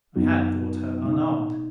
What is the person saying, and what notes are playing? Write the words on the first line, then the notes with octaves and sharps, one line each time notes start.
I had thought her unarmed.
F#2 F#3 B3 D#4 F#4
B2 G#3 D#4